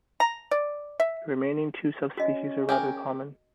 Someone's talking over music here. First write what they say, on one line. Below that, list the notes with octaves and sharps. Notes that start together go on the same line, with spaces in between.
The remaining two subspecies are rather common.
A#5
D5
E5
C#4 F#4 D#5
G4 G#4 A#4